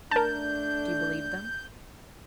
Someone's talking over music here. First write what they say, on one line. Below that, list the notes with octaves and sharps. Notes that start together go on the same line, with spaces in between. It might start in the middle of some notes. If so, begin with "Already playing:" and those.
"Do you believe them?"
A3 D4 A#4 A5 G6